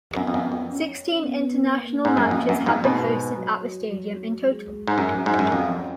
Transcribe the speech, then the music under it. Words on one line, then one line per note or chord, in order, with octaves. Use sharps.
Sixteen international matches have been hosted at the stadium in total.
F#2 B3
F2
F#2
F2
C#4
B3
A#3
G#2
F#2
F2
F#2
F2 G#2
G#2 B2
F#3
F#3
G#3
G#2
F#2 F#3
G#2
F#2
F2 C#4